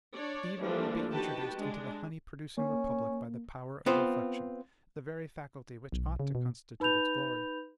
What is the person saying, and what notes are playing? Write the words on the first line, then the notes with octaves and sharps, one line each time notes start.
Evil would be introduced into the honey-producing republic by the power of reflection,--the very faculty which ought to constitute its glory.
D4 C#5 D5
E3 F3 G3 A3 A#3 D4
D#4 F#4 G4 B4 G5 A5
G#3 D4
A#3 C#4
B3 C4 F4 C5
B1
C#3
B2
D#4 B4 B5 G6 F7